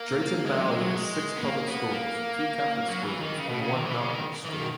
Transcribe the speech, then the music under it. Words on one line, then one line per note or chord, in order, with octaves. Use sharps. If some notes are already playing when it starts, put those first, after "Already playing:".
Drayton Valley has six public schools, two Catholic schools, and one outreach school.
Already playing: A#3
G#3
F#3
G#3
F#3
G#3
B3
A#3
B3
A#3
F#3
E3
D#3
C#3
B2
C#3
D#3
E3
C#3
D#3
E3
D#3
B2